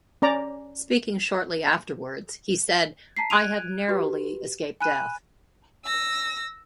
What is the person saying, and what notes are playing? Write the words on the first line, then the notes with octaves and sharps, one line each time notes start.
Speaking shortly afterwards, he said "I have narrowly escaped death."
C#4 D5 A#5
A5 A#5 B6 C7
F#6 G#6 D7 D#7 F7
F#4 G4 B4
G#5 B5 F#6 D#7 E7
E6 A#6